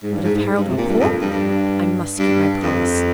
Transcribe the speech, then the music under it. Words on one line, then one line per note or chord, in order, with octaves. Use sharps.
But, if Harold were poor-- I must keep my promise.
G#2
G2
G#2
G#2
G#2
G2
C3
A#2
G2
F2
G2
G2
G2
F2